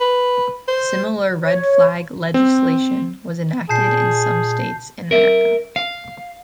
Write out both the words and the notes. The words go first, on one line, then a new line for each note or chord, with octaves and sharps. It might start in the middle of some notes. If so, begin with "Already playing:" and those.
Similar 'Red Flag' legislation was enacted in some states in America.
B4
C5
C#5
C4
A#2 G#4 A5 G6 C7
A#4 E5
F5